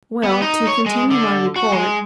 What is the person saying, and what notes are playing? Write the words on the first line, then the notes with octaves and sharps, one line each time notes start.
Well, to continue my report.
B3
D#4
C#5
G#3
D3
F#4
G#3